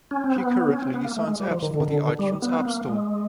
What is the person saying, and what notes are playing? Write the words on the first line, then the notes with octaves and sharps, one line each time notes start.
He currently designs apps for the iTunes App Store.
C#4
C4
B3
C#4
C4
B3
A#3
A3
G#3
G3
F3
D#3
D3
D#3
D3
G3
B3
B3
A#3
G#3